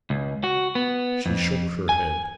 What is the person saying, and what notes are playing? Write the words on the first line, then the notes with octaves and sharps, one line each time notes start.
She shook her head.
C#2
F#4
B3
F2
G#5